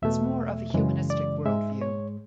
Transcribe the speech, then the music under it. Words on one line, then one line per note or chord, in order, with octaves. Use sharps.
It's more of a humanistic world view.
E2 B2 A3 E5
F#2 C#3 E3 G#3
D5
G#2 G#3 E5
C#5